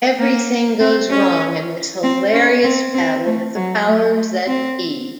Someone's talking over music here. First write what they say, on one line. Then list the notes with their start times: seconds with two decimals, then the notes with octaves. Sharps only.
Everything goes wrong in this hilarious battle with the powers that be!
0.19 A#3
0.80 C4
1.10 C#4
2.03 C4
2.33 C#4
2.64 C4
2.94 C4
3.25 A3
3.55 F#3
3.86 A3
4.16 A3
4.47 C4